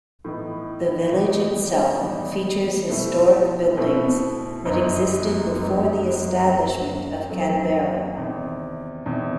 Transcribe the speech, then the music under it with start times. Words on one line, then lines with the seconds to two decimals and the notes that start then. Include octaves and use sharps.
The village itself features historic buildings that existed before the establishment of Canberra.
0.24 A2 E3 B3 D#4
1.13 E2 D#3 G3 D#4 G4
2.01 E2 D#3 G3 D#4 G4
2.89 B2 A3 C4 E4
3.77 B2 A3 C4 E4
4.65 G1 F#2 F#3 B3 D#4
5.53 G1 F#2 F#3 B3 D#4
6.41 F#2 F#3 A3 C4
7.30 F#2 F#3 A3 C4
8.17 E2 C3 D#3
9.06 E2 C3 D#3